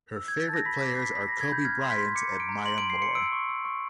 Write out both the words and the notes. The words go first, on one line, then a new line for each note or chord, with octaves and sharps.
Her favorite players are Kobe Bryant and Maya Moore.
E6
G#6
G6
A6
A5 A#6
B5 B6
D6 B6
C7
B5 B6
B5 B6
A#6
B5
G#6
B5 G6
F6 G#6
C6
B6
C6
D6 C#7
A#5
D7
A#5
C6 F#7
D7
C6
C7
C6 C#7
E6 D7
C#6
E6
C#6